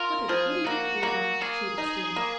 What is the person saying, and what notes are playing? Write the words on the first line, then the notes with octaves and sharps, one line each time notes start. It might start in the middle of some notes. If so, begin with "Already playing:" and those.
"What an idiot you are!" she exclaimed.
Already playing: F4 A#4
F3 G#4
A#3 F#4
A#3 F#4
A#3 G#4
D#4
A#3